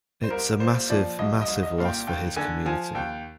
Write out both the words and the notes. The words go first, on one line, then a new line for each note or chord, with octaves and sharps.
It's a massive, massive loss for his community.
C5
C2 A#4
A#2 C5
F3 D5
C2 D#5
D#5
C2
D#5
A#2 F5
G5
D#2 G5
D3 G#5
F3 G#5
D#2 G5